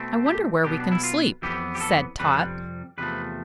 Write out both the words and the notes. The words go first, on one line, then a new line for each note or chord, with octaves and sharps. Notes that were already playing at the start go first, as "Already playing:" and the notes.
"I wonder where we can sleep," said Tot.
Already playing: B2 A3 C4
G4
B1 B2 B3 G4
D4
E4
F4
F2 E3 B3 G4
G4
A4
F2 C3 G3 B4
E2 C3 F3 A3 B4